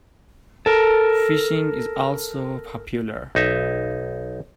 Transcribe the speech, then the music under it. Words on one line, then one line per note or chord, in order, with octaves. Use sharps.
Fishing is also popular.
A4 A#4
B1 D#4 E5